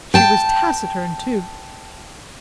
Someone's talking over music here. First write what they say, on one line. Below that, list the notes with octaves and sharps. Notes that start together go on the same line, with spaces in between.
She was taciturn, too.
G5 A5